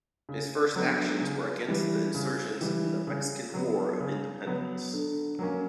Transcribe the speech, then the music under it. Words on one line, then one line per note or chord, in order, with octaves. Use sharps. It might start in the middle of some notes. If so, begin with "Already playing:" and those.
His first actions were against the insurgents in the Mexican War of Independence.
C#3
F#3 B3 D4
C#3
E3 G3
C#3
E3 G3
C#3
F#3 B3
C#3
F#3 B3
D3
F#3 A#3 C#4